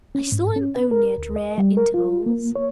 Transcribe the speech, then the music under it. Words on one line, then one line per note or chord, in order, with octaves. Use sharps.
I saw him only at rare intervals.
C#4
G#2
C#4
B4
A#4
D2
D#5
G3
A#4
F4
A#3
C#5